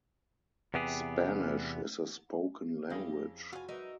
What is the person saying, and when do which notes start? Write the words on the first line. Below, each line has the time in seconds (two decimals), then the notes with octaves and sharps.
Spanish is a spoken language.
0.74 E2 C3 B3 G4 G#4
2.90 F2 C#4 E4 G4 G#4 F5 A#6
3.53 F4 F#4 G#5
3.68 F#3 D#4 A#4 B4 E5